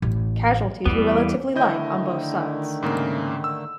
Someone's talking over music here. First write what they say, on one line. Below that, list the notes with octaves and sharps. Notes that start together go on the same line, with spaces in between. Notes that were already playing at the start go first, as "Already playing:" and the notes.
Casualties were relatively light on both sides.
A1
E2 E3 G3 B3
D3 D#3 A3 E4 D#5 G6
G#2 C#3 A#3
E6